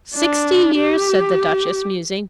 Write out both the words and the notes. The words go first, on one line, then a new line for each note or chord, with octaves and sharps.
"Sixty years," said the Duchess, musing.
D4
G4